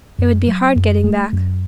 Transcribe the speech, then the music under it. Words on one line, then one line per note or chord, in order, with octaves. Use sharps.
It would be hard getting back.
F#2
F#3
F#2
A3
F#2